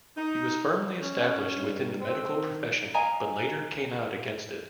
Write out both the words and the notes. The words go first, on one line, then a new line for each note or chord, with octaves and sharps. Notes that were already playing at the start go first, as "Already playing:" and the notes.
He was firmly established within the medical profession but later came out against it.
D#4
C#4
G2
C4
D#3
D#5 F5 G#5 A#5